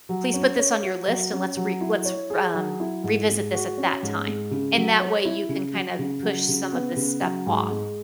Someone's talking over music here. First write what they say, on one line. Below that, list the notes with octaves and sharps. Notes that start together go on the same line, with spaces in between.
please put this on your list, and let's re let's, r um, revisit this at that time," and that way, you can kind of push some of this stuff off,
F#3
C#4
C#5
F#4
F#3
C#4
F#3
E4
C#5
G#4
F#3
E4
G#2
G#3
F#4
C#4
G#2
G#3
C#3
F#3
C#5
E4
C#3
F#3
C#3
F#3
C#3
B3
C#3
F#3
G#2
G#3